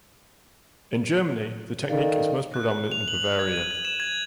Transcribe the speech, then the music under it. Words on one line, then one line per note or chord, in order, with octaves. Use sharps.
In Germany, the technique is most predominant in Bavaria.
D#3 A4 D5 F5
F#6
F7
F#7
G#6
D#7
G#6
E7
G#6